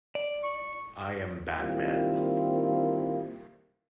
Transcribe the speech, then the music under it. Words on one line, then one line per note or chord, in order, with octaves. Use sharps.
I am Batman!
D5
C#6
D#3 G3 A#3 C4 E4 F4